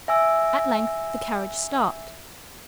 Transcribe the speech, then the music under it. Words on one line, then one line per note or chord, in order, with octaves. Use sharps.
At length the carriage stopped.
E5 G#5 E6